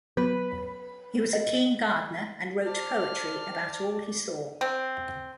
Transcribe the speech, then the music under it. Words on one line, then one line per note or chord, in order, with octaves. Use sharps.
He was a keen gardener and wrote poetry about all he saw.
F#3 B3 B4
D#5
C5 D5 A5 F6
C4